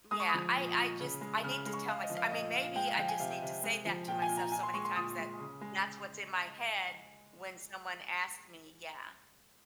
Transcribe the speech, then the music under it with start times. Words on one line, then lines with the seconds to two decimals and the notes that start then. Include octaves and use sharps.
Yeah, I I just I need to tell mysel I mean, maybe I just need to say that to myself so many times that that's what's in my head, when someone asks me Yeah.
0.11 G#3 D#6
0.20 C#6
0.29 F3 D#6
0.56 A#2
0.77 A#2
1.00 C#3
1.21 G#3
1.43 C#3 F6
1.58 F6
1.66 G#3
1.73 C#6
1.87 G#3 F5
2.03 D#5
2.10 F3
2.17 F5
2.31 A#2 D#5
2.54 A#2 F5
2.75 G#3 G5
2.87 F5
2.97 F3 G5
3.08 G#5
3.20 C3 F5
3.42 C3
3.63 G#3
3.85 F3
4.08 A#2 G5
4.22 G#5
4.29 A#2
4.37 A#5
4.52 A#2 G#5
4.63 C6
4.74 G#3 C#6
4.85 C6
4.96 A#2 D#6
5.18 G#3
5.40 C#3
5.61 G#3